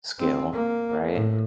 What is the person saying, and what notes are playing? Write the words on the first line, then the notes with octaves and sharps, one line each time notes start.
skill, right?
C4
A#3
A2